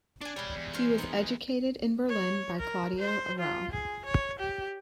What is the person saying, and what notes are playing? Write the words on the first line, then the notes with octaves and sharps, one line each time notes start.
He was educated in Berlin by Claudio Arrau.
D4 D5 G#5
G3 G#3 C#5 B5
E2
G#3 F4 C5
B3 D#4 G#4
C#5
A#4
C5
F4
G#4
C#5
G4